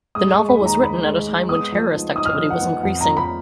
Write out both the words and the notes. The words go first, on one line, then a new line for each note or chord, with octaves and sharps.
The novel was written at a time when terrorist activity was increasing.
G#3 D#6
C#6
G#3
B5
D#2
A#5
D#2 B5
G#3
G#3
B3 D#6
F3
D#4
D#4 D#6
F6
D#6
F3
F#5
B3
F2 F#5
A#5
F3
B5